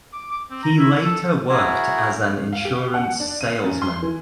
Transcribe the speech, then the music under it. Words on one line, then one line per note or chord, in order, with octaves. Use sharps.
He later worked as an insurance salesman.
D6
D6
C4
A#5
E4
A4
E4 F#4 G#4 A#4
F5
G4
F#5
D4
D#7
F#2
C6
E3